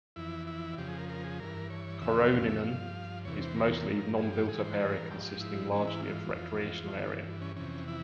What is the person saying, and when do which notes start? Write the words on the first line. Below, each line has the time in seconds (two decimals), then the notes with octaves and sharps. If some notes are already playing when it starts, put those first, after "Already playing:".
Koroinen is mostly non-built-up area, consisting largely of recreational area.
0.16 F2 E3 E4
0.47 E4
0.78 F2 C#3 F3 G4
0.88 G#4
0.98 A#4
1.09 A#4
1.24 G#4
1.40 G2 E3 A#4
1.70 C#5
2.01 E2 C#3 F3 E5
2.28 G5
2.33 F5
2.48 E5
2.63 G2 F3 F5
3.25 E2 C3 E3 C#5
3.41 C5
3.56 A#4
3.87 G2 F3
4.17 G#4
4.33 G4
4.48 G#2 E3 G#4
4.64 C5
4.80 G#4
4.95 A#4
5.10 G#2 F3 G4
5.41 E4
5.72 G#2 E3 C#4
5.87 E4
6.03 F4
6.34 F2 E3
6.95 G2 E3
7.41 C#4
7.56 F2 C3 E3 C#4
7.88 E4